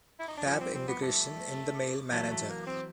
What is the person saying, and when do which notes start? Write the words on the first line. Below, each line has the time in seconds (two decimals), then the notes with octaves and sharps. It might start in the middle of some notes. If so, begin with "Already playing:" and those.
Tab Integration in the mail manager.
0.19 E4
0.28 D#4
0.37 D4
0.46 F3 G3 C#4
0.60 C4
0.74 C4
0.88 B3
1.02 A3
2.11 E3 F#3 A3
2.31 A3
2.49 A#3
2.66 C4